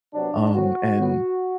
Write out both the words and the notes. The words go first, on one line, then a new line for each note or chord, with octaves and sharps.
Um, and,
C3 F#3 B3 D4
A2 F#3 C4 F#4
A2 F#3 B3